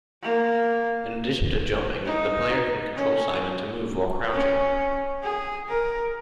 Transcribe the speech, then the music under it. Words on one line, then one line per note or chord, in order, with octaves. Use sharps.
In addition to jumping, the player can control Simon to move while crouching.
A#3
D#4
C#4
C#4
G#4
A#4